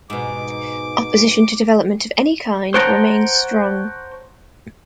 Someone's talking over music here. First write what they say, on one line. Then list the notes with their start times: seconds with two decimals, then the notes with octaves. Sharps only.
Opposition to development of any kind remains strong.
0.10 G#2 B2 D6
2.74 C5 C#5 F#5 G5 A5 A#5